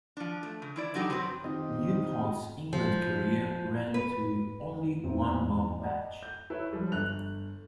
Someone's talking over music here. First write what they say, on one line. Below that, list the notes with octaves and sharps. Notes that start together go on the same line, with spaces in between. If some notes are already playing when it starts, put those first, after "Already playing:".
Newport's England career ran to only one more match.
F3 D4
A3
C#3
E3 E4 D5
D3 F#3 D#4 G4
C3 F#3 C4 B4
D#3 C4 D#4 F4 G4 D#5
F3
B4
E2 G#2 E3 C4
D5 D#5 F#5
G6
E4 B4 C#5
F3 G3
G1 F#6 F7